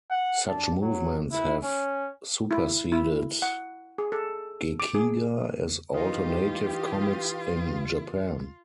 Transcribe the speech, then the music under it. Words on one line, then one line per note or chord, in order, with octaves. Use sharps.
Such movements have superseded gekiga as alternative comics in Japan.
F#5
D4
F#3
E4
C#4
E4
E4
F#5
G#4
A4
D6
G#4
E3 D#4 F4 G4 B4 F5 D#6